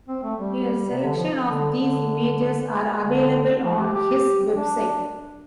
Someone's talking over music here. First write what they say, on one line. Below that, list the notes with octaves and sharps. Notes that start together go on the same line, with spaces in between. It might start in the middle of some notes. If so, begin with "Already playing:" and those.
A selection of these images are available on his website.
C4
A3
G3
C3
D3
F3
D3
D3
D3
F3
G4
G4
D4